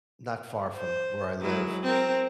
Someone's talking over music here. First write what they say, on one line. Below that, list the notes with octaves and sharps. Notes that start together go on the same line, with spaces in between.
not far from where I live
C5
F#3 G#3 E4
C4 A#4